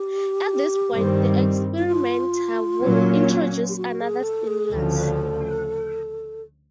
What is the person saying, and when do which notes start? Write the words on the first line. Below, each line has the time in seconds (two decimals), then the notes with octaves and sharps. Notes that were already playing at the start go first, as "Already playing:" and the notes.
At this point, the experimenter will introduce another stimulus.
Already playing: G4
0.91 G2 D#3 G3 C4
1.78 E4
1.87 F4
2.81 A#2 F#3 A#3 C#4
3.69 G4
3.77 F#4
4.00 G#4
4.23 A4
4.47 G#4
4.71 D2 C#3 F3 A4